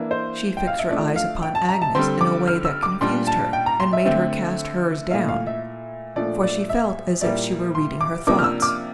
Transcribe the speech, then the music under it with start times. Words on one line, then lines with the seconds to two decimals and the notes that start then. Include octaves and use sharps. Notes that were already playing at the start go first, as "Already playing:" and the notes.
She fixed her eyes upon Agnes in a way that confused her, and made her cast hers down, for she felt as if she were reading her thoughts.
Already playing: E3 A#3 D4
0.11 C5
0.57 G5
0.67 F5
0.79 E5
0.90 F3 A3 D4 D5
1.16 F5
1.42 G5
1.55 A5
1.69 A#5
1.82 A5
1.95 D3 G3 C4 C6
2.21 D6
2.48 F6
2.65 E6
2.83 D6
3.01 A#2 G3 D4 C6
3.27 A5
3.53 G5
3.66 A#5
3.80 C6
3.93 E5
4.05 D3 A3 C4
5.10 A#2 A3 E4 F5
5.29 F5
5.47 E5
6.16 A#2 F3 A3 D4 D5
6.43 D5
6.69 E5
7.21 A#2 G3 A#3 E4 D5
7.75 C6
8.01 D6
8.27 C3 F3 A#3 D4 D6
8.39 F6
8.44 E6
8.62 D6